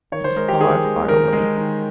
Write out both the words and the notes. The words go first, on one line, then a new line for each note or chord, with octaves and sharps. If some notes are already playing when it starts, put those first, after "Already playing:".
And far, far away.
D#3 C#5
C5
G#3 A#4
G4
D#3 G#4
G#3
D#3 A#4
G#3
D#3